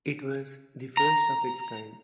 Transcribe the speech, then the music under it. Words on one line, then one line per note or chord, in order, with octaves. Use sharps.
It was the first of its kind.
A#5